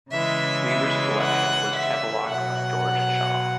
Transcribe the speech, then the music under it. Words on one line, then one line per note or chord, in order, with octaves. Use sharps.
Lever's collection was catalogued by George Shaw.
C#3 E3 G#3 E5
E5
F#5
E5
B2 F#3 F#5